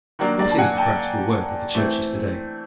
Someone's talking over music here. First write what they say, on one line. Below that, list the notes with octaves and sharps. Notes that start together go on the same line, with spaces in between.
What is the practical work of the churches to-day?
D#3 F#3 A#3 D4
D5
A5
F#5 G#5
G5 A5
E3 A3 C4